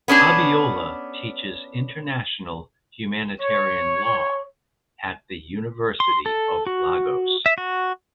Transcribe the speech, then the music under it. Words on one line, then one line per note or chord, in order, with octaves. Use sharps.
Abiola teaches International Humanitarian Law at the University of Lagos.
B3 C#4 D4 G#4
C#5
C6
A4
F#4
E5
F#4